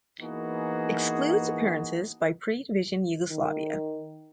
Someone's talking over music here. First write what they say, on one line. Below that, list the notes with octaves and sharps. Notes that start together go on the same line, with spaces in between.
Excludes appearances by pre-division Yugoslavia.
E3 A#3 B3 D#4 F#4 G#4
D#3